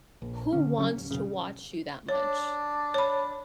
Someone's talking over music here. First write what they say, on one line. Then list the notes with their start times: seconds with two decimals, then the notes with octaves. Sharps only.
"Who wants to watch you that much?
0.22 A#1
0.53 D3 C#4
0.78 C#3 F#3 G3 C#4
0.93 D1
1.11 E1 B1 C#3
2.09 D4 C#5
2.94 C#5 B5